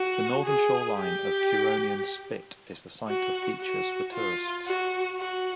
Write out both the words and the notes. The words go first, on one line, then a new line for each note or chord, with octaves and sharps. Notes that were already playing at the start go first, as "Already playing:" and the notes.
The northern shoreline of Curonian Spit is the site of beaches for tourists.
Already playing: F#4
G#4
G4
F#4
F#4
F4
F#4
F#4